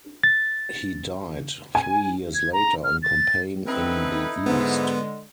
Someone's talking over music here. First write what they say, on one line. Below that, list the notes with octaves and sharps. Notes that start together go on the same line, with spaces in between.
He died three years later on campaign in the east.
A6
G#5
G#6
A#5
F6
A6
D3 C4 D#4 E4 A4 B4
G#2 D3 G#3 B3